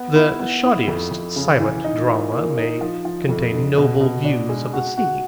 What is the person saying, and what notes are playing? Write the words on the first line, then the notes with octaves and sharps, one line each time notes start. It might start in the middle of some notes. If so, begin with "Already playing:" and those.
The shoddiest silent drama may contain noble views of the sea.
Already playing: B3
E4
B3
E4
F2
F2
C#3
E3
D#4
A#2
A#3
D#4
F3
F3
F2
D3
B2
B2
D4
G#3
F#4
F#4